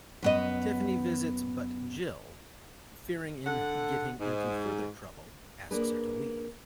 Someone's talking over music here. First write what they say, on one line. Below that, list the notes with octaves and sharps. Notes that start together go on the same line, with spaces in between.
Tiffany visits but Jill, fearing in getting into further trouble, asks her to leave.
F#2 B3 D#5
D3 A4 F#5
G#2
A#3 D4 G#4 B4